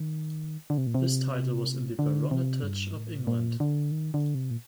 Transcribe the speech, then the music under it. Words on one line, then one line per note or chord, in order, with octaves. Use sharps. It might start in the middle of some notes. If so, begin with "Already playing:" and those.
This title was in the Baronetage of England.
Already playing: D#3
D3
C3
A#2
C3
D3
C3
G2
A2
A#2
D3
D#3
D3
C3
A#2